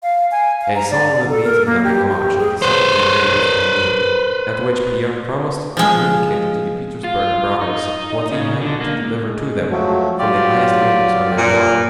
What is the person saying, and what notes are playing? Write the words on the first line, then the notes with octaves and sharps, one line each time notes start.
A solemn meeting of the lodge of the second degree was convened, at which Pierre promised to communicate to the Petersburg Brothers what he had to deliver to them from the highest leaders of their order.
F5
G#5
F5
A#5
D5
A4
A#4
A#3
G4
G4
G#4
B4 C5
F3 G#3
F4
D#4
C#3
D3
A#3
G#3
F3 F#3 A3 F#4
F#3 F4 G4 D5
A#2